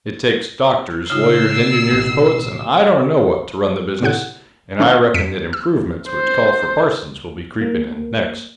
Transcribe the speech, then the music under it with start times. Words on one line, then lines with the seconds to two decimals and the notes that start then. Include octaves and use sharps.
It takes doctors, lawyers, engineers, poets, and I don't know what, to run the business, and I reckon that improvements which call for parsons will be creeping in next.
1.10 C#3 D#4 F4 E6 C7
1.89 A1 B2
4.03 A2 C3 F#5 F#6
4.79 D#3 C#4 D#4 C5 C6
5.14 F2 B6 C#7 D7
5.53 E6
6.10 C5
7.61 A#3